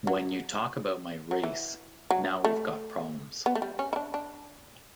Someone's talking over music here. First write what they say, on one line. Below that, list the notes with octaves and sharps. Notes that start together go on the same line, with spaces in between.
When you talk about my race, now we've got problems.
F#3
F#3
E3
F#3
A3
B3
A3
G3
C#4
E4
D4
D4